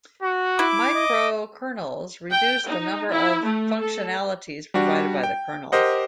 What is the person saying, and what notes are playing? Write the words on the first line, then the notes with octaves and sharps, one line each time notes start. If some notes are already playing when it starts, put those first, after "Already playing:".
Microkernels reduce the number of functionalities provided by the kernel.
F#4
E4 D6
D#5
G5
D#4
E4
A3
A4
G3 D4 F#4
G5
G4 A#4 C5 D#5 F#5